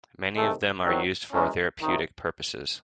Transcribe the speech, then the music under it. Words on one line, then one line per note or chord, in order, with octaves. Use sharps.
Many of them are used for therapeutic purposes.
C2 C3 D#3 G#3 A3
E2 D#3 F#3 C4
F#2 E3 G#3 C#4
C2 C3 D#3 D#4